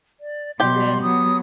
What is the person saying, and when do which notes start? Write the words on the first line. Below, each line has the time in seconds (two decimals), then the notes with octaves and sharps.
And then
0.20 D5
0.60 B2 F#3 G4 G5 C6
1.02 F#3 B3 D#6